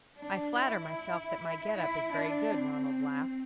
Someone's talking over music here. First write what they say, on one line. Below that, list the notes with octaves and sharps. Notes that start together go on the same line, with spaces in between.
"I flatter myself that my get up is very good," Ronald laughed.
D4
E4
E4
D4
C4